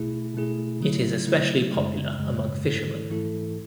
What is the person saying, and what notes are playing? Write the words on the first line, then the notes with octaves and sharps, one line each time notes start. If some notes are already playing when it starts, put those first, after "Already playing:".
It is especially popular among fishermen.
Already playing: B2 A3 E4 G#4
B2 A3 E4 G#4
C#3 F#3 A3 E4
C#3 F#3 A3 E4
F#2 C#3 G#3
F#2 C#3 G#3
G#2 E3 A3 E4 A4
G#2 E3 A3 E4 A4